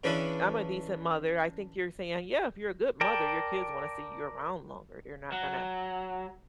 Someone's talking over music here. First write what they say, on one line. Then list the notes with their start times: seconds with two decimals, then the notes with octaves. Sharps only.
I'm a decent mother. I think you're saying, "Yeah, if you're a good mother, your kids wanna see you around longer," they're not gonna
0.04 C#3 E3 C#4 D4 E4 B4
3.01 A#4 D5 G5 A5
5.32 F#3